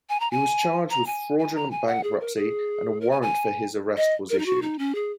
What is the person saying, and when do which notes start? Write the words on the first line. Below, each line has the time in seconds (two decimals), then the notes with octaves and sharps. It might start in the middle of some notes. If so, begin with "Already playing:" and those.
He was charged with fraudulent bankruptcy and a warrant for his arrest was issued.
0.10 G#5
0.20 A#5
0.31 G#5
0.90 A#5
1.06 G#5
1.39 G#5
1.55 A#5
1.71 G#5
1.87 F#5
2.03 G#4
2.20 A#4
2.36 G#4
3.01 A#4
3.11 G#5
3.22 G#5
3.97 D#5
4.30 A#4
4.39 D#4
4.46 F#4
4.62 D#4
4.79 C#4
4.95 G#4